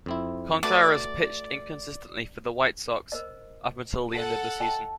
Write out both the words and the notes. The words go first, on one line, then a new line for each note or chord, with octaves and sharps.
Contreras pitched inconsistently for the White Sox, up until the end of the season.
F2 C4 E4
A3 F#4 B4 D5
A#4 C5 D#5
A4 F#5
D#5 G5 A5